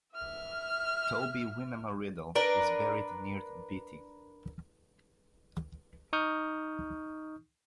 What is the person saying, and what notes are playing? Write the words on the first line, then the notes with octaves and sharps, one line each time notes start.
Toby "Winema" Riddle is buried near Beatty.
E5 F6
D4 A#4 B4
D#4 C#6 D#6 F6 G6